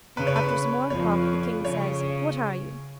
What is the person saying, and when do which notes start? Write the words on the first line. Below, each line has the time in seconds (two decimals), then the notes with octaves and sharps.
After some more talk the king says, "What are you?"
0.17 C#3 B4
0.27 C#5
0.36 B4
0.90 F2 F3 C#5
1.64 C#3 C#5